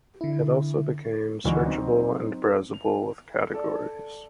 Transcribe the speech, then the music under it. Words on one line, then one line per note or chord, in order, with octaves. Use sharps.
It also became searchable and browsable with categories.
D3 E4
D#1 D2 E3 F#4 D#5
F#3 C4 D#4
F7
A4 D5